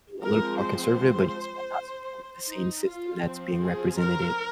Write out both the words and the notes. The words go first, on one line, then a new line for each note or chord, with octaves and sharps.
a little bit more conservative, but you just might not support the same system that's being represented,
F3 G#3 C4 A#4
C5
D#4
F4
F3 C4
G#4
A#4